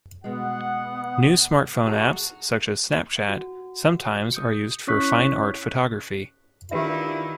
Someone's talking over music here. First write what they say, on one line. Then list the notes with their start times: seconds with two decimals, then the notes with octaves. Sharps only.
New smartphone apps such as Snapchat sometimes are used for fine-art photography.
0.24 B2 G#3 B3 F#5
1.87 F#4 G#4 A5 A#5
3.29 F#4
4.32 D#6 G6 C#7
4.87 C#4 E4 C#5 C#6 F#6 B6
6.71 D#3 D4 E4 F4 G4 B4 E5